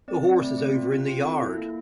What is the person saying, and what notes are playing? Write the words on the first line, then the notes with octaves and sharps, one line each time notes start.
The horse is over in the yard.
C4 D5
C4
A3
C4
F4
F4
C4
A4
E4
A#3